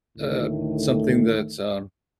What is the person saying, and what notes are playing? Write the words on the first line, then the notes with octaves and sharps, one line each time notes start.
uh, something that's, um
D2 A2 D#3 A3